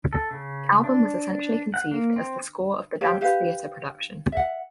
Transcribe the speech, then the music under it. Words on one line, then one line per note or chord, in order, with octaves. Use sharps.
The album was essentially conceived as the score of the dance theatre production.
A4
C#3
D4
F#5
A#3
C4
G4 C#5 F5 A5
G4 B4 F5
E5 F#5